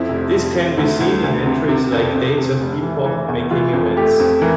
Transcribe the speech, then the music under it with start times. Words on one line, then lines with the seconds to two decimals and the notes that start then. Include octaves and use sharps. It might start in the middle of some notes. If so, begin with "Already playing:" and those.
This can be seen in entries like Dates of Epoch-Making Events.
Already playing: F2 F3 E4
0.09 F1
0.32 F1
0.55 F2
0.78 D2 E4
1.01 D2
1.23 D2
1.46 C3
1.69 C3
1.92 F2
2.15 F2
2.37 C3
2.60 F1
2.82 E3
3.05 E3
3.28 E2
3.51 E3 F4
3.73 F2
3.97 A3 G4
4.20 F2
4.41 E3 A#4